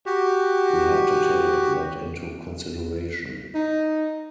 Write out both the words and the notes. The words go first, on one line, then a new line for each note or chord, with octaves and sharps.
We had to take that into consideration.
F#4 G4
D#4